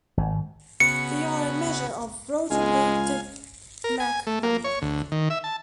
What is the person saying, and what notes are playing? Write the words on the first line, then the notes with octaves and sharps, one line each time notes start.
They are a measure of rotor blade tip Mach number.
G#1
C#3 B3 F#4 C#7
C#2 G#3 F5 G#5
A#4
G#5
A3
A#3
C#5
D2
D#3
E5
A5